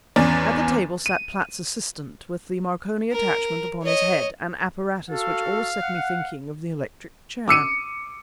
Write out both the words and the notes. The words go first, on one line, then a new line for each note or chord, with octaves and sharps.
At the table sat Platts' assistant with the Marconi attachment upon his head--an apparatus which always set me thinking of the electric chair.
G#1 E2 C#4 D5 A6
D#7
A#4
C#5 D#5
F#4 A4 F5
F#5
D6 E6 C#7 D#7